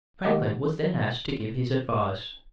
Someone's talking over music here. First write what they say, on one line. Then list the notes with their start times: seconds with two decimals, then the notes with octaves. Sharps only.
Franklin was then asked to give his advice.
0.24 D#3 A#3 G4 D#5 F#5